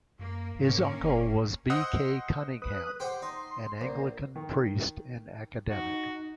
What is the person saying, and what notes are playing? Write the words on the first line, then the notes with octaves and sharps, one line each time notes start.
His uncle was B. K. Cunningham, an Anglican priest and academic.
F#2 A#3
G#2 A#3 C#4
F#1
C5 D#5 F#5 D#6 E6 F#6
B4 D#6 F#6
G4 C5 F#5 C6
D#4
A#1 A#4 C5
D#3
D#4 F#4